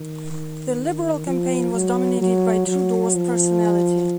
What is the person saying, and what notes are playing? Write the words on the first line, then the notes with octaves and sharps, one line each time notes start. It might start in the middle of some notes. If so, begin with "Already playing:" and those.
The Liberal campaign was dominated by Trudeau's personality.
Already playing: D#3
D#3
F3
F#3
F#3
F#3
F3